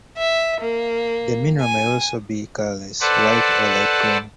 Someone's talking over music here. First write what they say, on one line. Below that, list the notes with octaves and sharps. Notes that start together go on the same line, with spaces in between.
The mineral may also be colorless, white, or light green.
E5
A#3
G#5
A4 B4 C5 D5 F#5 A5